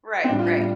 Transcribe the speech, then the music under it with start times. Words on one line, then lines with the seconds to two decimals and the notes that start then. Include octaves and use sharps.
Right, right.
0.24 C4
0.29 A2 G3 D4
0.39 F4
0.59 A2 G3